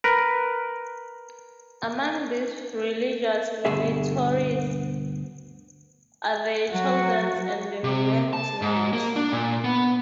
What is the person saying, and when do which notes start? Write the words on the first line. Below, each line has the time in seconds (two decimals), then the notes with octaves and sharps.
Among these religious minorities are the Chaldeans and the Mandaeans.
0.04 A#4 B4
3.65 D2 G2 B2 G#4 E5
6.71 F#3 F#4
7.84 C3
8.33 A5
8.62 G#2
8.93 A#3
9.16 D4
9.32 A#2
9.64 B3